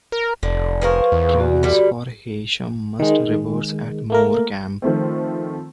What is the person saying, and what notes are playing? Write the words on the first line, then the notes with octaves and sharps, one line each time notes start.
Trains for Heysham must reverse at Morecambe.
A#4
F1 D3
F3 G#4 A#4 B4 F5 C#6
E2
F#4 D5
D3 G3
D#3 G#3
A3 A#3 A#4
D#3 F3 A3 C4